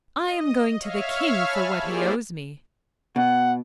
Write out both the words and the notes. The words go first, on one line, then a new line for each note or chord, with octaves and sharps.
'I am going to the King for what he owes me.'
D#5
C#5 E5 F5 F6
G#5 A5 B5
A#3 E4 G4 G#4 C5 D5
B2 F#5